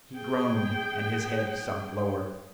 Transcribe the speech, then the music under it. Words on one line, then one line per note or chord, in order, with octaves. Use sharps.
He groaned and his head sunk lower.
G#4 G5